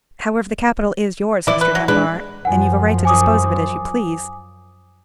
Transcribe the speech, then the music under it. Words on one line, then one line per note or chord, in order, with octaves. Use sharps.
However, the capital is yours, Mr. Dunbar; and you've a right to dispose of it as you please.
E3 E4 D5
B4
F#3
G#3 D4 B4
F#2 F3 F#5 G#5
G#5 D6 D#6